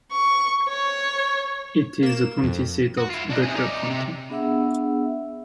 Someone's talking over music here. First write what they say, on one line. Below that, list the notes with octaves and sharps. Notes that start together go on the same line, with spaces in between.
It is the county seat of Butler County.
C#6
C#5
A#3 E7
F2
F#4
E4 F4
D4 D#4
C3 G#4
D#4 D5
C3
B3 D4 G#4 E5 F#5 E6